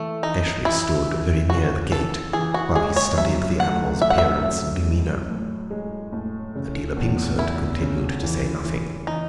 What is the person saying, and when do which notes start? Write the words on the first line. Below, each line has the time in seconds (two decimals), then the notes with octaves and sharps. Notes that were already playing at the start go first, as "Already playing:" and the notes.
Eshley stood very near the gate while he studied the animal’s appearance and demeanour. Adela Pingsford continued to say nothing.
Already playing: E3 A3
0.23 E3 D#4
0.65 E3 E4
1.07 E3
1.50 C#3 F#4
1.91 E3 A4
2.33 E3 G#4
2.54 F#4
2.75 G#3 G#4
2.96 C#5
3.18 F#2 E5
3.60 A3 F#5
4.02 A3 E5
4.10 F#5
4.18 E5
4.44 F#2
4.87 G#3
5.29 A2
5.71 G#3
6.13 A2
6.55 C#3
6.97 E2
7.39 E2 E4
7.81 C#3
8.23 E3
8.65 E3
9.07 E3 D#4